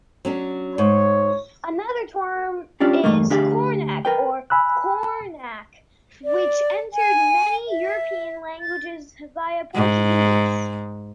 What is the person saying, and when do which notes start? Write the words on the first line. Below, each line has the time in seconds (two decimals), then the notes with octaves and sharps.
Another term is "cornac" or "kornak", which entered many European languages via Portuguese.
0.25 F#3 C#4 D4
0.78 G#2 C#5
2.80 C#4 D4 F4 G4
3.04 E2 G2 B2 A3 A#3
3.30 D2 D4 G4 G#4 F5
4.05 A#4 B4 G5
4.50 G#5 B5 E6 F#6
6.24 D5
6.93 G#5
7.68 E5
8.60 A6
9.75 G#2